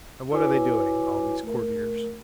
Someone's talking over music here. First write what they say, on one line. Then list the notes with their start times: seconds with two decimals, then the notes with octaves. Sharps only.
And what are they doing, all these courtiers?
0.32 E4 F#4 B4 C#5 G#5 D6
1.43 A3 A#4